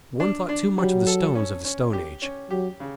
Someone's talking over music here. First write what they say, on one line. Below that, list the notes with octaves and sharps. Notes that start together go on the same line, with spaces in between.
One thought too much of the stones of the Stone Age.
D4
D4
F#3 G3
A4
C#4
C#4
G4
C#4
F#3 G4
C#3